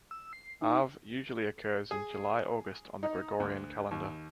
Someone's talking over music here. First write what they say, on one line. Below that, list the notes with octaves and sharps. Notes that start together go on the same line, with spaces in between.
Av usually occurs in July–August on the Gregorian calendar.
E6
C7
D#4
G#4
D#4
D2
D#2